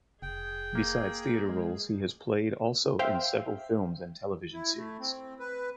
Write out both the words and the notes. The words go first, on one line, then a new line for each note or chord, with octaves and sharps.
Besides theatre roles he has played also in several films and television series.
F1 G#4 G5
A#3
G#3
C5 E5 F5 G5
E4
A3
C4
B4